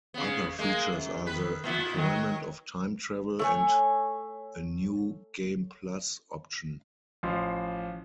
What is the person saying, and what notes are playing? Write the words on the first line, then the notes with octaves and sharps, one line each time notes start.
Other features are the employment of time travel and a "New Game Plus" option.
C#3 B3
G#3 A#3
F#2
D#3 B4
A#2 B3 E4
D#3 F#3
A3 C#5 G#5
A1 F3 C6